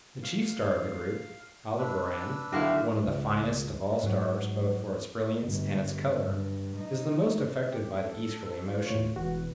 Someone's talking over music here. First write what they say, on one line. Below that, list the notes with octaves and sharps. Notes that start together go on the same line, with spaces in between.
The chief star of the group, Aldebaran, one of the finest of all stars both for its brilliance and its color, is the most affected by the easterly motion.
F5
D4 B4 E6
B1 A2 D3 D#3 E4 F#4 G4 F5
C#2
G#2 F#3
G1
G2
D#4
G4
A4
F4
A2 C#5
E1 F#4 B4